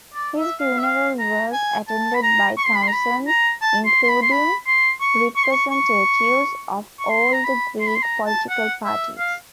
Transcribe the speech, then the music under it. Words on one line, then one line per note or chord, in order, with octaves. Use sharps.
His funeral was attended by thousands, including representatives of all the Greek political parties.
D5
E5
F5
E5
F5
A#5
G#5
A5
B5
A#5
C#6
C6
B5
C6
A#5
B5
A#5
A5
C6
C6
B5
C6
B5
C6
C#6
C#6
C6
C#6
C#6
C#6
C6
A#5
B5
C6
B5
C6
A#5
A5
F#5
E5
F5